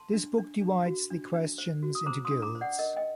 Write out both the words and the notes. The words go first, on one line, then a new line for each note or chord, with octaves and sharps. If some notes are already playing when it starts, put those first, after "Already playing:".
This book divides the questions into guilds.
Already playing: A5 C6
D4
D4
D4
F#4
D4
D4
C5
F#4
D#6
C5 A#5 D6
C6 D#6
D4
A#5 D6
C5
D5 F#5
A#4 D#5
D#5 G5